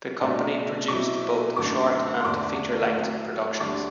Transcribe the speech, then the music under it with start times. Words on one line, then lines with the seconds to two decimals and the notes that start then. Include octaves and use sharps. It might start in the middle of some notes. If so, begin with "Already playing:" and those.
The company produced both short and feature-length productions.
0.20 B2 A3 D4
0.88 B2 F#3 C4 E4 D6
1.56 F#2 D3 A3 D6
2.20 C6
2.25 E2 D3 A3 D4 D6
2.92 A2 F#3 C4 E4
3.60 D2 D3 G3 D4 D6